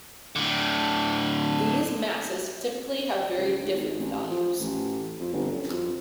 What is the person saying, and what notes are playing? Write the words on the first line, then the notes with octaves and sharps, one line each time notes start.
These masses typically have very different values.
A2 D3
C#2
D2
G#1
A1
F3
A1
F2
G1
F#2
F2